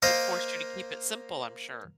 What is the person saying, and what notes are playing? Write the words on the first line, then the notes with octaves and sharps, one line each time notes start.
It forced you to keep it simple, I'm sure.
A#3 A#4 C5 D#5 F5